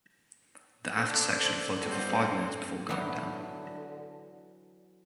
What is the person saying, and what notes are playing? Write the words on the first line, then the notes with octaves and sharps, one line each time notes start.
The aft section floated for five minutes before going down.
D4 A4 C5
C2 G3 G#3 B3 F#4 C5
D3 E3 F#3 B3